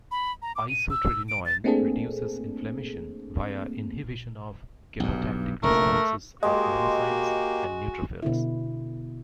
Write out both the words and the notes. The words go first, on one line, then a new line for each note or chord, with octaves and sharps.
Isotretinoin reduces inflammation via inhibition of chemotactic responses of monocytes and neutrophils.
B5
A#5
D6
D#7
E6
D7
A6
A3 A#3 C4 D4 G#4 A4
B1 G2
F1 A#1 A3 A#4
G#3 A#3 F#4 G4 D#5
B2 D3 E4